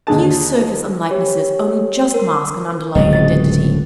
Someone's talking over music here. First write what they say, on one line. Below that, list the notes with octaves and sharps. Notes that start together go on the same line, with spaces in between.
'A few surface unlikenesses only just mask an underlying identity.
D#2 D3 G#4 A5
G4 C#5
A#4
D1 C#2 F#3 D#5
A6